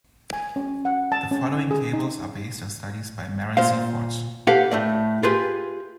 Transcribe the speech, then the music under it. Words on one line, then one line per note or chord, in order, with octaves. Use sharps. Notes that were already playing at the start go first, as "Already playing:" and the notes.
The following tables are based on studies by Marron C. Fort.
G#5
C#4
F#5
A5
C#4
D#4
G#4
D#4
A#2 C5 F5
G4 A4 B4 F5 F#5
A2 A3 D5
F4 G4 G#4 B4